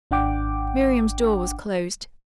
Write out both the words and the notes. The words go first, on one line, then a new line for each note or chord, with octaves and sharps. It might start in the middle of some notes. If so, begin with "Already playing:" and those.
Miriam's door was closed.
G#1 D4 F#5 G5 D6